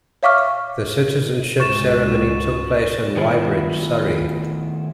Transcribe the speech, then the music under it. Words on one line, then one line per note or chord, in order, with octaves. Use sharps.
The citizenship ceremony took place in Weybridge, Surrey.
C#5 E5 F5 C#6 D6 F6
C#2 G#2 C#6 A6 E7
A2 D#3 B3 E4 F4